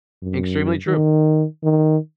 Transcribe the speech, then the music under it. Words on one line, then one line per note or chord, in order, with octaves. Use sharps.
Extremely true.
F#2
D#3
D#3